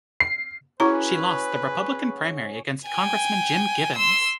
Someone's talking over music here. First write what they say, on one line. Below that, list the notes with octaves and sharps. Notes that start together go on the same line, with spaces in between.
She lost the Republican primary against Congressman Jim Gibbons.
C7
C#4 E4 F#4 G#4 B4 A#5
G5 G#5
C6 E6